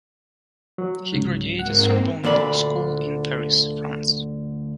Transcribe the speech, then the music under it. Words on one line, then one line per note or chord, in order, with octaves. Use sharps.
He graduated Sorbonne Law School in Paris, France.
F#3
C#2 G#2
G#2 A#3 C4 F#5
D2 A#2 D3 D5 B5